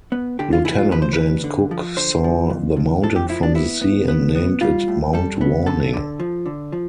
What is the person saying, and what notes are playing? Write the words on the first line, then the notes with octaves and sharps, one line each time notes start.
Lieutenant James Cook saw the mountain from the sea and named it Mount Warning.
B3
D3 G4
F4
F3 E4
F4
F3 B4
C5
B4
D2
D3
F3
D3 C5
F3
F2
F2
F3 A4
G4
F3 E4
D4
B3 E4
B3
B3
B3
G3 F4
A2
G3 A4
B3
D3 A4
D3
F3
D3
F3